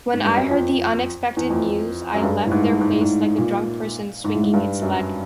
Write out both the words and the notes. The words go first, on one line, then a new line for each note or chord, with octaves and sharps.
When I heard the unexpected news I left their place like a drunk person swinging its leg.
G#2
G2
F#2
F2
E2
F2
F#2
G2
A2
G#2
G#2
A2
G#2
A#2
G#2
A2
G#2
G2
F#2